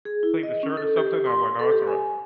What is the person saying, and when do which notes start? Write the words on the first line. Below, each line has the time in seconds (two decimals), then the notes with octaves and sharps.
clean the shirt or something?" I was like, "No, it's alright."
0.05 G#4
0.23 E4
0.43 D#5
0.63 C#4
0.77 A4
0.97 G4
1.26 C6
1.59 A4
1.71 G4
1.87 G#5